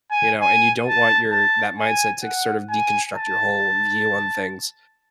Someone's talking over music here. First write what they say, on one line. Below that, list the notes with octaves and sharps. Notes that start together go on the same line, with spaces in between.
you know, and you don't want your that mindset to c sort of deconstruct your whole view on things.
G#5
G#5
A5
A5
G#5
F#5
G#5
A5